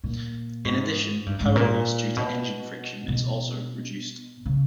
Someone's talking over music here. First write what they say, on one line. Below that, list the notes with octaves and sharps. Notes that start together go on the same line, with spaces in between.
In addition, power loss due to engine friction is also reduced.
A#2
G#2
G2
G#2
A#2
B2
B2
C#3